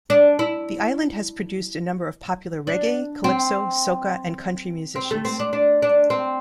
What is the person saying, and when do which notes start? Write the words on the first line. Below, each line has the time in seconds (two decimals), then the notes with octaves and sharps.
The island has produced a number of popular reggae, calypso, soca and country musicians.
0.10 D4
0.39 E4
2.67 D4
3.24 C4
4.96 C4
5.11 A3
5.25 C4
5.40 D4
5.53 D4
5.82 D4
6.10 C4